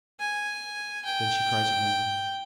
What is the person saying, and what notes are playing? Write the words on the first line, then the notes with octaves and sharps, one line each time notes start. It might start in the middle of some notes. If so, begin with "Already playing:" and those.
Then she cries again.
G#5
G5